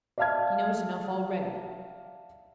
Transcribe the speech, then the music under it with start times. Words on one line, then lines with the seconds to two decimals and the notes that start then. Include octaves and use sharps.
He knows enough already.
0.18 D5 E5 F5 A5 F6 G#6